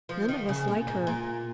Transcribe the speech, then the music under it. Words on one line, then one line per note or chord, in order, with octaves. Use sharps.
"None of us like her."
F3
D#3
C#3
A#2
G#2
A#2